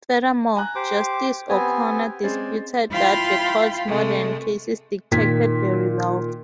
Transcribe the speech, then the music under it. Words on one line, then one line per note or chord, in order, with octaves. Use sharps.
Furthermore, Justice O'Connor disputed that the Court's modern cases dictated the result.
G#5 A#5 F#6
G4 C5 D6
B3 C4 G4 G#5
G#3 C4 C#4 D5
E4 F4 F5 G5 B5 C6
C3 G#3 A3
A#2 D#3 G#6 B6